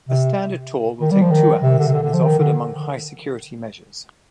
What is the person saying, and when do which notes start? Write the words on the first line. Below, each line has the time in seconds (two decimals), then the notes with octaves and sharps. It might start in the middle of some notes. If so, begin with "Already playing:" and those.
A standard tour will take two hours and is offered among high security measures.
0.09 C3
1.01 D#3
1.11 G3
1.21 F3
1.31 D#3
1.63 C3
1.78 D3
1.87 C3
1.93 D3
2.03 D3
2.14 F3
2.23 D#3
2.39 D3